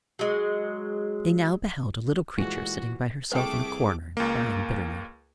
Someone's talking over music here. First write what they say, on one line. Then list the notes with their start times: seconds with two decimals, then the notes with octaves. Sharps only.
They now beheld a little creature sitting by herself in a corner, and crying bitterly.
0.19 F#3 G#3
2.38 A#2 E3 G#3 A3 F#4
3.32 C2 A3 G#4 B4 F#5 G5 D6
4.17 C#2 A#3